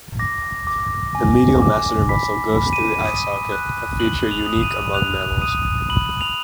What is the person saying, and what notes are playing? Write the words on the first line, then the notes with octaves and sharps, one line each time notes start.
The medial masseter muscle goes through the eye socket, a feature unique among mammals.
D6 A#6
D6
G#5
D6
B5 B6
B5
D#7
D#6
F#6
F#6 F#7
F7
D#6
D#7
F#6 F7
D#6 D#7
B5 F#7
F7